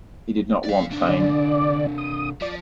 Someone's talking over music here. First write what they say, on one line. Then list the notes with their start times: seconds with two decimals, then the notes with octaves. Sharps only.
He did not want fame.
0.65 D5 F5
0.91 C3 D4
1.09 D3 D5
1.98 D#6
2.42 F3 D5